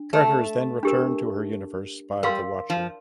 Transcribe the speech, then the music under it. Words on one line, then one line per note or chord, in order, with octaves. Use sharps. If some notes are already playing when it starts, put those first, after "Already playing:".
Carter is then returned to her universe by the Watcher.
Already playing: D4
A3
D4 G4 A#4
G3 A#4 F5 C6
F3